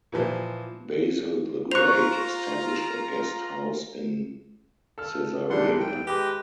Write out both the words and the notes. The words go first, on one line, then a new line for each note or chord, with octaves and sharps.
Basil the Great established a guest house in Caesarea.
A#2 E3 F3
F4 C5 A#5 C#6 F#6 F7
A4 A5 F6
E2 G#2 G3 D4 F#5 C6
G5
G#3 G4 B4 D#5 D6